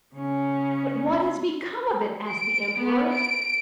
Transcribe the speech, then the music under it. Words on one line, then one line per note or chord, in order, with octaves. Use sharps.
"But what is become of it?" asked the Emperor.
C#3 C#4
D7
B3
D7